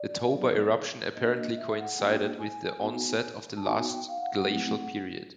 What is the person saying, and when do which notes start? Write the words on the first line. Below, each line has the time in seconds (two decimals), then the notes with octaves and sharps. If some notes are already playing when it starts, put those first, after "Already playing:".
The Toba eruption apparently coincided with the onset of the last glacial period.
Already playing: D5
0.34 F#3 B3 D#4
1.16 A#3 D4 F#4 D#5
1.37 D#5
1.58 E5
1.78 F#5
1.98 A#3 D4 F#4 G5
2.39 G#5
2.80 B3 D#4 F#4
3.57 A5
3.62 B3 D#4 F#4 G#5
3.90 G5
4.09 F5
4.18 F#5
4.44 F#3 A3 C4 E4